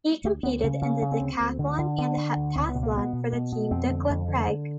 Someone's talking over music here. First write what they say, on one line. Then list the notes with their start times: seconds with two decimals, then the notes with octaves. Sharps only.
He competed in the decathlon and heptathlon for the team "Dukla Prague".
0.24 D2 A3
0.43 D2 B3
0.63 C#3
0.82 C#3 C#4
1.02 C#3
1.12 C4
1.21 D2
1.40 D2
1.59 D3
1.78 D3
1.98 D3
2.17 D3
2.37 D2
2.56 C#2 C4
2.69 B3
2.75 B2
2.83 A#3
2.94 B2 B3
3.13 B2
3.33 B2
3.52 B2
3.71 F2 C4
3.90 D3
4.09 F2
4.28 D3
4.48 D3